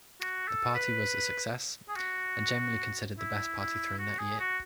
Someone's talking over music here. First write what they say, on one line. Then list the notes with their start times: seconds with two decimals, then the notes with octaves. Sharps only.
The party was a success and generally considered the best party thrown that year.
0.20 F#4
0.48 A4
0.75 B4
1.88 G#4
1.96 F#4
3.18 E4
3.58 E4
3.98 F#4
4.19 G#4
4.40 F#4